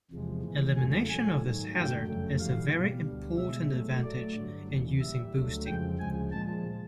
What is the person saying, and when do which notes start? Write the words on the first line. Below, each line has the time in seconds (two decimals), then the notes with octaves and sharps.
Elimination of this hazard is a very important advantage in using boosting.
0.11 E2 C3 F3 G#3
0.43 A2 E3 G#3
0.76 E2 C#3 F#3 A3 G#5
1.09 A#2 F#3 A3 G#5
1.41 G#2 D#3 F#3
1.74 F#2 D3 F#3 A3 G5
2.07 F2 C#3 F#3 A3
2.39 G#2 E3 G3 F5
2.72 B2 G3
3.05 D2 D3 G3
3.37 B2 G#3 E5
3.70 A2 F#3 A3
4.03 A2 F#3 A3 D5
4.35 G2 D3 F#3
4.68 D#2 C#3 E3
5.00 A#2 G3 E5
5.34 D2 D3 F#3 A3
5.66 F2 C#3 F3 G#3 G5
5.99 D2 C#3 F3 G#3 G#5
6.31 A#2 F3 G#3 A5